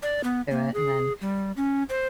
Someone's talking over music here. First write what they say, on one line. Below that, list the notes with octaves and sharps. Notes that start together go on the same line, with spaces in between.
it, and then,
D5
B3
A#3
G#4
G3
C#4
C5